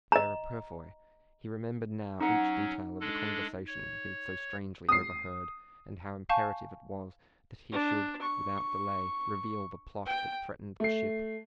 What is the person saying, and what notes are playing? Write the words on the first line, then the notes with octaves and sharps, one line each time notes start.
"Sarah Purfoy!" He remembered now each detail of the conversation he had so strangely overheard, and how imperative it was that he should, without delay, reveal the plot that threatened the ship.
D#5 A#5
F#3 C#4 D#4 F#5
G#3 D4 A4
C#5
D#6 C7
F5 G#5 A5 C#6 G6
D4
C#6
G5
A3 C7